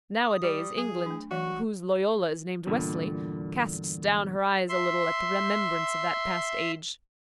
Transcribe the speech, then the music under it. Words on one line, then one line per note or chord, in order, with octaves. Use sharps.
Nowadays England, whose Loyola is named Wesley, casts down her eyes a little at the remembrance of that past age.
D#6
G3
F#3 G#4
A3 D4
E3 F#3 F#4 C#5 C#6
E2 G2 A#2 D3
E5 C6